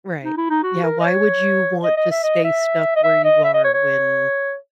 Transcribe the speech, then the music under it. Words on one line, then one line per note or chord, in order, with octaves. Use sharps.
Right. Yeah, why would you want to stay stuck where you are when
D#4
E4
D#4
F#4
A#4
D#5
C#5
D#5
D#5
E5
D#5
E5
D#5
E5
D#5
E5
D#5
C#5
C#5